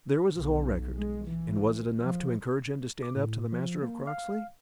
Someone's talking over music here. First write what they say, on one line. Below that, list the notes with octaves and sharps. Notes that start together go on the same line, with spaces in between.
There was his whole record, and was it enough to encourage him to stand up to the Master of Croxley?
B1
G#3
E3
F3
D6
A2
F3
A#3
F5